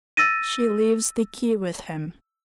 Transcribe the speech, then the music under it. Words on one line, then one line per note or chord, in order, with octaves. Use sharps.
She leaves the key with him.
E6 A6 A#6 D#7